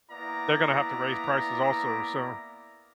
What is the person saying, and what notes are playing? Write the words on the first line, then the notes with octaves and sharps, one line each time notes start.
they're gonna have to raise prices also. So,
A#3 B3 E4 D5 A#5